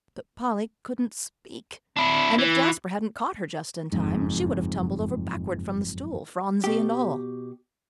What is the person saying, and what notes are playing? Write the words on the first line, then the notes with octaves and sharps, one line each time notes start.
But Polly couldn't speak; and if Jasper hadn't caught her just in time, she would have tumbled over backward from the stool, Phronsie and all!
D4 E4
E3
F#1 F2 G#2
B2 G4